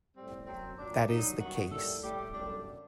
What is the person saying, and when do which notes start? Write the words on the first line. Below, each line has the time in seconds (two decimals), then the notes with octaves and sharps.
That is the case.
0.16 A2 G3 C4
0.47 F#2 F#3 C4
0.77 A#2 F#3 D4
1.09 G2 F#3 D#4
1.40 F#2 D#3 G3 F#4
1.71 A2 G3 A4
2.02 A2 G3 G4
2.33 F#2 D3 G3 D4